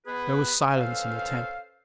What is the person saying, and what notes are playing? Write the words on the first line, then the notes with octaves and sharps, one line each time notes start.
There was silence in the tent.
B3 G#4 B4
C#4 A4 B4 C5 F5